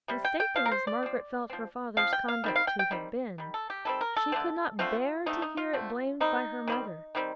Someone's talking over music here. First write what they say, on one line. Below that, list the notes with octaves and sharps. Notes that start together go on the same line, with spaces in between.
Mistaken as Margaret felt her father's conduct to have been, she could not bear to hear it blamed by her mother.
C3 G3
G5
G5
F3 C4 F5
A#4
C5
D5
F3 C4
F3 C4
F3 C4 F5
G5
F5
D#3 G3 C4
F5
G5
G5
D#3 G3 C4
D#3 G3
A4
G4
D#3 G3 C4 A4
A#4
A4
D3 A3 C4
D3 A3 C4 F4
D3 A3 C4 D#4
D#4
F4
D3 A3 C4
D#3 G3 C4 D#4
D#3 G3 C4
D#3 G3 C4